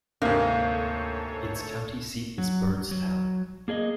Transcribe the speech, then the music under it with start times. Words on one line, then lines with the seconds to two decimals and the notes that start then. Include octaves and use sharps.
Its county seat is Byrdstown.
0.22 D2 G#2 C3 A#3 A4 C#5
2.38 F#3
2.91 F#3
3.68 A#3 G#4 D5 D#5